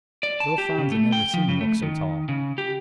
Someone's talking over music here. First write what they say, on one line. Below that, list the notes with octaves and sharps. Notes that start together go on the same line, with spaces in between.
Little Franz had never seen him look so tall.
D5
A5
G4
C#3
A3
G5
F3
C#3
A3
D#3
C#3
G4